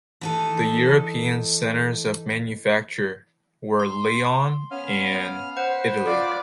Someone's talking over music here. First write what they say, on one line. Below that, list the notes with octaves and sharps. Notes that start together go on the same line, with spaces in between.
The European centres of manufacture were Lyon and Italy.
E3 D#4 A4
C6
B3 C#4 F5 F6
B4 C5 F#5
F4 D5